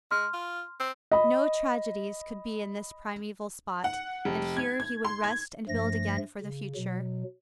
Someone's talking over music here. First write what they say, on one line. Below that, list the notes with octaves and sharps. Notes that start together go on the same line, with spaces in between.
No tragedies could be in this primeval spot, and here he would rest and build again for the future.
G#3 C6 F6
F4
C4
D#5 B5
F#5
F1
G#6
G#6
C6
G#6
G2 F3 A3 A#6
C#3
B2 F#3